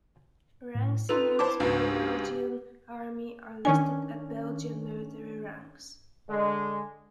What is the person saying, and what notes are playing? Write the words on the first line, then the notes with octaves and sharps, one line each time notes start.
Ranks in use by the Belgian Army are listed at Belgian military ranks.
A2
D#4 F4 A4 B4 F7
E4 C5 A5 D6
C#2 G#2 D4 F#4
G4
D#3 C#4 D4 G#5
D3 G#3